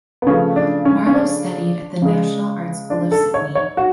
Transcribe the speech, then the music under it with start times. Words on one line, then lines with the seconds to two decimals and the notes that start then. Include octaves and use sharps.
Marlow studied at the National Art School of Sydney.
0.22 B3
0.27 C#3 F3 A3 C#4
0.56 D4
0.85 C#4
1.06 C#4
1.14 D4
2.02 C#3 G#3
2.90 D4
3.12 A4
3.34 C#5
3.55 C#5
3.77 F#4